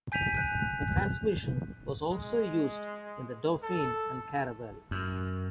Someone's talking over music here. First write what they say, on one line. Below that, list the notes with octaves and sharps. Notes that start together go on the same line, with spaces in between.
The transmission was also used in the Dauphine and the Caravelle.
G#5 G6 B6 D#7 F7
F#6 G6
F#6
G#3
A4
F#2